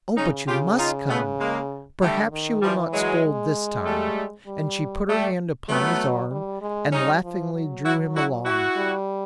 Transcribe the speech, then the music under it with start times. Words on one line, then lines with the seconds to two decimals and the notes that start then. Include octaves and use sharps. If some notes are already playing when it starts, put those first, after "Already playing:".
"Oh, but you must come; perhaps she will not scold this time," and she put her hand upon his arm, and laughingly drew him along.
0.17 C#3 C#4 D#4
0.47 C#3 F4 G4
0.78 D#4 F4
1.09 A3 B3
1.40 G#3 A#3
2.01 D3 G3 A3
2.31 D#3
2.62 E3 F3 G3
2.93 F#3 G#3
3.24 G#3
3.85 G3 A3
4.47 G3
5.08 G3 A3
5.69 F#3 A3 B3
6.31 G3
6.62 G#3
6.92 G3 C#4 D#4
7.23 F3
7.54 F#3
7.84 E4 F#4
8.15 E4 F#4
8.45 E4 F#4
8.76 G3